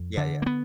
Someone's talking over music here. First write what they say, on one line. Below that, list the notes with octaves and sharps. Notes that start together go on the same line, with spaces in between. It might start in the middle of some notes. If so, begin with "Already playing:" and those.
Yeah, yeah.
Already playing: F2
D3
A#3
B3